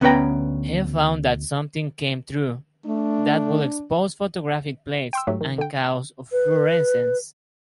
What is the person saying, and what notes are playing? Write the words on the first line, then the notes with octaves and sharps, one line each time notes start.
He found that something came through, that would expose photographic plates and cause fluorescence.
D2 B3 C#4 B4 G5 A#5
A3 D4
G5 C6 E6
G#2 F#3 A3 G4
D#3
D3 G5
B4